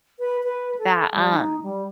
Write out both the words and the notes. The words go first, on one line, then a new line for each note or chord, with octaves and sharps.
that, um
B4
B4
A4
G3
D#4
G3